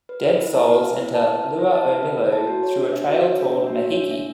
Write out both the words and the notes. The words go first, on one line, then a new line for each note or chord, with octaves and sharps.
Dead souls enter Lua-o-Milu through a trail called Mahiki.
B4
E5
E4
A5
B4
E5
E4
A5
B4
E5
E4
A5
B4
E5
E4
A5
F#4
C#5
D4
E5
F#4
C#5
D4
E5
F#4
C#5
D4
E5